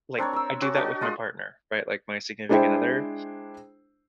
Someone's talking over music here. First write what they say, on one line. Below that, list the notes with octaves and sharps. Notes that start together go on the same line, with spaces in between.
like I do that with my partner, right? Like, my significant other.
C4 D4 A#4 C#5
A#4 E6
C#4 F#4 D6
D4 F#4 D#5
G#3 F4 D#5
G#3 D4 E4 C5 G5